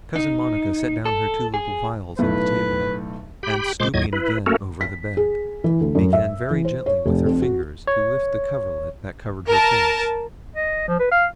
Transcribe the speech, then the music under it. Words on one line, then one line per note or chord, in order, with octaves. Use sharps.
Cousin Monica set down her two little vials on the table, and, stooping again over the bed, began very gently with her fingers to lift the coverlet that covered her face.
D#4
A4
G#4
B1 A2 A3 B4
G4 G5 B5
A#2 G#3 C5 C6 D6
D#2 A2 F#3 D#5 G#6
E4 B4
A3 A#3 C#4 F#4 A4 A#4
B6
G#4
E3
D2
F#2
E5
E3
C5
C#5
F1
F2
F#4
C#5
A#4 A5
D#5
F3
B4
F5